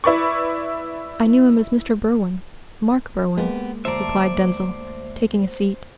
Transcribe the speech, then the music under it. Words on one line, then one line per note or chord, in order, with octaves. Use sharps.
"I knew him as Mr. Berwin--Mark Berwin," replied Denzil, taking a seat.
E4 B4 D5 C#6
G#3 A#3 B3 G4
D2 C5 D5 E5 A5 A#5